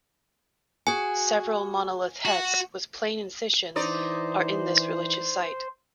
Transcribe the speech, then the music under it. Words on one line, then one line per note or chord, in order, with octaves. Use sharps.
Several monolith heads with plain incisions are in this religious site.
F#4 G#4 G#5
F#4
E3 D#4 C5 D5